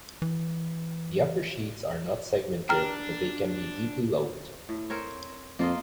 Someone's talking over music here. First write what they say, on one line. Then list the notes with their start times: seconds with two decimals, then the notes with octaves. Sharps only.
The upper sheets are not segmented but they can be deeply lobed.
0.22 E3
2.69 D4 G5 A#5 F6
4.69 A2
4.90 C4 A#4 C#5
5.59 F2 A#3 F4 D#5